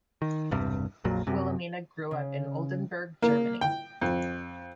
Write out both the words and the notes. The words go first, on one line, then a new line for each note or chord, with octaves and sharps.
Wilhelmina grew up in Oldenburg, Germany.
D#3
E1 C2 G2 C3
A#1 F2 A#2 F#3
F#2 C3
C#3
A#3
G5
F2